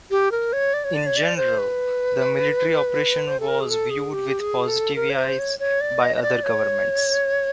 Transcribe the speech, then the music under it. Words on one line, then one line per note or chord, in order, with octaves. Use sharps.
In general, the military operation was viewed with positive eyes by other governments.
G4
A#4
C#5
D5
C#5
D5
C#5
D5
C5
B4
C5
A4
A#4
G#4
A4
G#4
G4
G#4
A4
A#4
C#5
C5
C#5
C#5
D5
D#5
D#5
D5
C#5